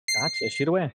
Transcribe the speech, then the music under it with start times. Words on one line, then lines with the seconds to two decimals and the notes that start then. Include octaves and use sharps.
Gotcha, shoot away.
0.08 C7